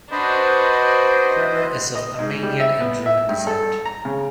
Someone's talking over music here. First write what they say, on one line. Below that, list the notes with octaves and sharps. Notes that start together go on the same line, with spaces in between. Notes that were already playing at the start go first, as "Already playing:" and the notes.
Bremmer is of Armenian and German descent.
D4 F#4 B4 C5 D#5
D#5
G#2
G3
E5
B3
E5
G2
A4
A#5
C#3